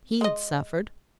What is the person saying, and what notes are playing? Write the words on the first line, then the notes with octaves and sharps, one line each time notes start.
He had suffered.
G#3 D#5